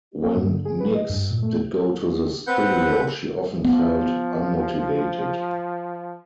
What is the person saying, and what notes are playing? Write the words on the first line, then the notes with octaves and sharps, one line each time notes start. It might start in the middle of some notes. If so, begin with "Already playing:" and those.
When Nicks did go to the studio, she often felt unmotivated.
A#3
G2
D3
G#4
B4
D#5
G2
A#2
A3
C4 B4 F#5 G6
F3 B3